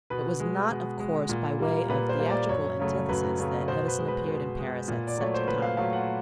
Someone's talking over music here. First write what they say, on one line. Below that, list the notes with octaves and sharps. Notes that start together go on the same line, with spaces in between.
It was not, of course, by way of theatrical antithesis that Edison appeared in Paris at such a time.
B2 B4
G#3
B2
G#3
A#2
G3 A#3
A#2 B4
C5
G3 A#3
D5
F#2 C#5
C#3 F#3 A3
F#2 B4
C#3 F#3 A3
B2 C5
B4
G#3
B4
B2
G#3
A#2
D5
F#3 A3 C#5
C5
A#2 B4
F5
F#3 A3 F5
F#5